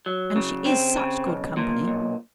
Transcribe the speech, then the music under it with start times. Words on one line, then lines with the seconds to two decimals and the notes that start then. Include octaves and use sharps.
And she is such good company.
0.06 F#3
0.36 C#3
0.66 C4
0.97 C#3
1.27 B1
1.57 A#2
1.88 B1